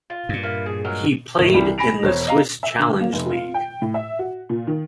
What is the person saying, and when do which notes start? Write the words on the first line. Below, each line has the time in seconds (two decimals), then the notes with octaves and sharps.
He played in the Swiss Challenge League.
0.10 F4
0.29 G2 A#2
0.43 A#3 E4
0.66 G#4
0.85 F#3 G#3 A#4
1.38 A#1 A2 D#3
1.54 C2 E3 G3 B5
1.78 G#5 B5 A#6 D7 F7
2.03 E1 C5 C#5
2.27 D#5 F5 A#5
2.63 E5
2.79 D3
3.00 A#3
3.13 F1
3.30 F4
3.54 G5
3.82 A2
3.94 E5
4.19 F#4
4.49 A#2
4.67 D#3